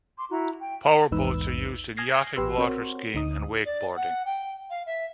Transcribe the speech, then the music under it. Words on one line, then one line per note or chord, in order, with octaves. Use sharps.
Power boats are used in yachting, waterskiing and wakeboarding.
C6 D6
E4 F#4 A#5
G5
A#1 E2 G#2 D#4 B4 E6
G#5 D#6 F6 G#6 A#6 C7
A1 G4 B4 C6 E6
C4 F#4 A#4 C5 C#5
D2 D#4 D#6
D5
F#5
G5
F5
E5